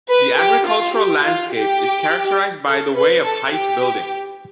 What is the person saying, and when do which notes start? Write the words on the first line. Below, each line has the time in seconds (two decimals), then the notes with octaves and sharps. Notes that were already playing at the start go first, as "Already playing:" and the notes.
The agricultural landscape is characterized by the way of height buildings.
0.09 B4
0.38 G4
0.67 F4
0.95 G4
1.23 F4
1.52 G4
2.67 A4
2.94 B4
3.23 A4
3.52 G4